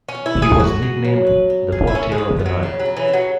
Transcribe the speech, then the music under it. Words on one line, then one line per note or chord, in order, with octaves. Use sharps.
He was nicknamed "The Voltaire of the Nile".
C#4
B3
E4
B4
G#4
F#4 B4
G#4
F#3
B4
B3
G#4
E4
B3 C#4
G#3
B4
B3
F#3
C#3
F#3
C#3
E3
C#3
F#3